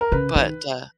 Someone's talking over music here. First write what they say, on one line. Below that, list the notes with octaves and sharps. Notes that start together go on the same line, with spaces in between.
But, uh,
A#4
C#3 B4
D#3